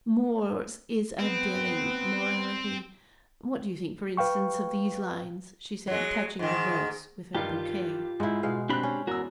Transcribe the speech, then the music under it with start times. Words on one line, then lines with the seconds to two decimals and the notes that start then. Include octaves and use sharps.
'Moore's is a daring morality--what do you think, for instance, of these lines?' she said, touching the verse with her bouquet.
1.19 B3 C4
4.17 B4 F5 G5 C#6
5.87 F#3 G#3
6.39 G#2 D#3
7.35 G2 D#3 F3 F4 G4
8.20 G#2 G#3 E4
8.43 B2 G#3 F5
8.69 C4 D4 G4 B5 F#6
8.83 C#4
9.07 E2 F#4 A#4 E6